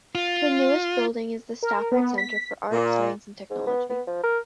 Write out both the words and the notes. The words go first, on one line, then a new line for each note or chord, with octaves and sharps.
The newest building is the Stafford Center for Art, Science and Technology.
F4
A#4
B3
B6
A#2
G#2
B3
B3
F3
A#4